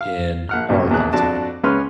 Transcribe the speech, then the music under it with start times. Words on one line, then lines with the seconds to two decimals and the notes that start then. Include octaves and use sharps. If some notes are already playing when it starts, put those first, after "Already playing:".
in our lifetime?
0.01 F5
0.49 A#1 F#5 F6
0.69 C2 G2 A#2 C#4 F#4
0.90 A#1 E2 A#2 G#4 F#6
1.13 F2 D4 F#4 A5
1.64 C#2 C#3 C#4 B4 C6 F6